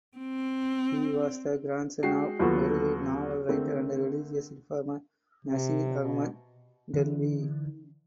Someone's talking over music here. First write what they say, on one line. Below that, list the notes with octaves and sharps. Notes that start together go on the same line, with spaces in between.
He was the grandson of Urdu novel writer and religious reformer Nazir Ahmad Dehlvi.
C4
G#3 F#4 G5 C7
D#2 F#3 B3 F4 F#4 A4
D3 A3 A#3 C4
C3
B2
D3 E3